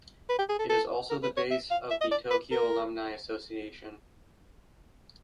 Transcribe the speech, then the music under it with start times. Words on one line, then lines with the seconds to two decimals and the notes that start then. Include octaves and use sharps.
It is also the base of the Tokyo Alumni Association.
0.29 B4
0.39 G4
0.50 G#4
0.59 A4
0.70 A4
1.10 A#4
1.23 B4
1.37 C#5
1.51 E5
1.71 F5
1.91 E5
2.01 D#5
2.12 D5
2.31 B4
2.51 A#4